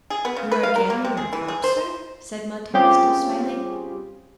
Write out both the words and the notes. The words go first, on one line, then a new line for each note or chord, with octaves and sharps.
"You are gathering your crop, sir?" said Monte Cristo, smiling.
G#4
B3
C#3
B4
F5
A#4
A#3
C3
G#4
E3
G#4
C5
G3 C4 C#4 F4 G4 G#4